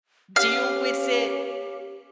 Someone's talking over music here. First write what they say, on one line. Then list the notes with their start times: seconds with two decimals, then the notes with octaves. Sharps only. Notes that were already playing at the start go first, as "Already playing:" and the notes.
deal with it,
0.36 C#4 G4 F5